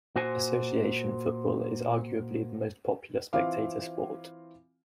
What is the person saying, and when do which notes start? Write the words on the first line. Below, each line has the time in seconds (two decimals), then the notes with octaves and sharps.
Association football is arguably the most popular spectator sport.
0.16 A#2 F#4 C5 G#5
3.33 E3 C4 F4 F5 D6